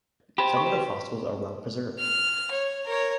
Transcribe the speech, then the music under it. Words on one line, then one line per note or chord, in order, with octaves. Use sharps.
Some of the fossils are well-preserved.
G4 C5 B5
C#6
F#4 B4
F6
C#5
A#4 C#5